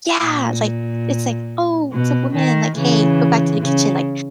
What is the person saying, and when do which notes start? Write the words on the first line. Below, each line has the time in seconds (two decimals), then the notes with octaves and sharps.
Yeah, like, it's like, "Oh, it's a woman," like, "Hey, go back to the kitchen," like,
0.24 A#2
1.92 B2
2.34 D#3
2.76 C#3 E3
3.60 C#3